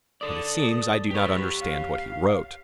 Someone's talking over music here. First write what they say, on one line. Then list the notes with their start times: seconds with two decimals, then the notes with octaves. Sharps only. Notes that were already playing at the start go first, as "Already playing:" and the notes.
But it seems I do not understand what he wrote.
0.21 A4 D5 D#6
1.11 G4 B4 C#5
1.61 F5